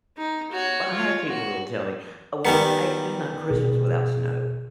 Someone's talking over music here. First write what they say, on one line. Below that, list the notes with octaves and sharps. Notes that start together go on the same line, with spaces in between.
Well, I have people that will tell me, "Oh, well, I it's just not Christmas without snow,
D#4
F#4 C#5
F4 C#5
F#4
D#3 G3 B3 G#5 A#5 C#7
G1 B2 G#4